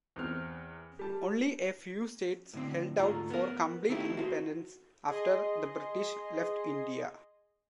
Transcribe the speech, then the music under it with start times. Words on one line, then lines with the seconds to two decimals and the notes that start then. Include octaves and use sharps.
Only a few states held out for complete independence after the British left India.
0.16 E2 C4 F6
0.99 G3 A5
2.53 A2 D3 C4
2.98 D2 G#2 A3 F4 A#5
3.30 B3 A#4
3.89 D#3 A3 C4 D4 E4 G4
4.17 F#4 A4 C5
5.08 G#4 D#5 C6